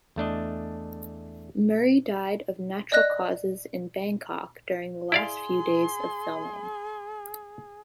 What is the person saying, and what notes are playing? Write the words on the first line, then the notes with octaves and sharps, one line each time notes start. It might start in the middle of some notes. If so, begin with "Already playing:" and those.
Murray died of natural causes in Bangkok during the last few days of filming.
E2 A3 D4 D#5
D5 D#5 F#6 A#6
E4 G#4 D5 F5 C6